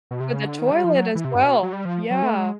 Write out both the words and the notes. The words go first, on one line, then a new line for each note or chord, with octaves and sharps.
With the toilet as well. Yeah.
B2
C3
C#3
D3
D#3
G3
F3
F#3
E3
C3
G2
B2
F#3
G3
F3
F#3
A3
G#3